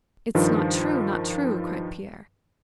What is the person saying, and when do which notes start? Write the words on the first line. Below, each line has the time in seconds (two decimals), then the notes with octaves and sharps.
"It's not true, not true!" cried Pierre.
0.35 G2 D#3 F3